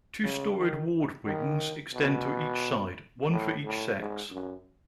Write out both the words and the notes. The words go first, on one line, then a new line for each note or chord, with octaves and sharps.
Two storeyed ward wings extend to each side, one for each sex.
C#3
D#3
D#3
B2
A2
A2
G#2
F#2